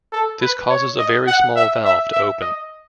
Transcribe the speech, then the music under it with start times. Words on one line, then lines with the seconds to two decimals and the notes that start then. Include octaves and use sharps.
This causes a very small valve to open.
0.12 A4
0.41 B4
0.70 C#5
0.98 D#5
1.27 F#5
1.56 E5
1.85 E5
2.13 E5
2.41 D#5